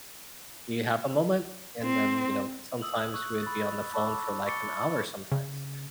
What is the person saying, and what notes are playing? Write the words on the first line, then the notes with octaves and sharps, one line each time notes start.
Do you have a moment?" And then, you know, sometimes we'd be on the phone for, like, an hour sometimes.
C4
D#6 E6 F#7
C#6 E6 F#6
B5 A6
A5 B5 C#6 D6 E6
C#6 D6 A6 C#7 G7
C#3